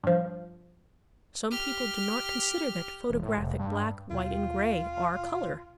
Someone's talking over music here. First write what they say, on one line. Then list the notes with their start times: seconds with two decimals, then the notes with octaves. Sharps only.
Some people do not consider that photographic black, white, and gray are color.
0.04 G2 F3
1.51 G4 F6
3.10 E1
3.23 A2
3.36 F1
3.59 G2
4.10 D#2 B2 F4 G5